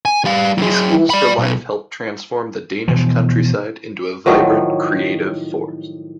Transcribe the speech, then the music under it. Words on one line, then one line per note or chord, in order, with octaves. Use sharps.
These schools for life helped transform the Danish countryside into a vibrant, creative force.
G#5
G3 F5
F#3 G#4
D5 B5
B1 B2
B2 E3 F3
A2 D#3 F3 F#3